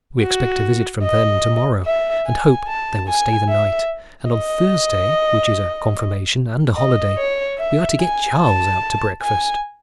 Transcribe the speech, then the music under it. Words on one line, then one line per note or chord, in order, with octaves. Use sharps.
We expect a visit from them to-morrow, and hope they will stay the night; and on Thursday, which is a confirmation and a holiday, we are to get Charles out to breakfast.
F#4
D#5
E5
G#5
A5
G#5
E5
D#5
D#5
C#5
E5
G#5
A5
G#5